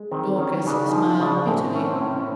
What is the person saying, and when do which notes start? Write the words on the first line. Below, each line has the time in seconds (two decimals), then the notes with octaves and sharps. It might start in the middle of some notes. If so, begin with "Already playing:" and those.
Dorcas smiled bitterly.
Already playing: G#3
0.12 D#3 C4
0.38 D#3 C#4
0.66 C#3 D4
0.87 D#4
0.93 F3
1.06 E4
1.20 C#3 C#4
1.26 D4
1.47 A2 C4
1.74 A3 C#4
1.90 C4
2.01 A2 C#4
2.20 C#4